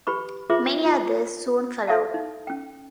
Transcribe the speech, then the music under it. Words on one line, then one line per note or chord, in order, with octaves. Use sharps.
Many others soon followed.
G4 B4 B5 C#6
F4 G#4 B4 E5 C6 D6
F4 C6
A4 E5 F5 A5
D#4
C#4 G5